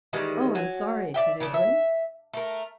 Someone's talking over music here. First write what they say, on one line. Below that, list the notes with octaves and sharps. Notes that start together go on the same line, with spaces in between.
"Oh! I'm sorry," said Edwin.
D#3 E3 G3 G#3
F#3 G#5
D5 E5 G5
C#3 D4
E5
A3 A#4